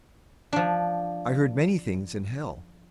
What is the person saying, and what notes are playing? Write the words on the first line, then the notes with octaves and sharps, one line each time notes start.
I heard many things in hell.
F3 D4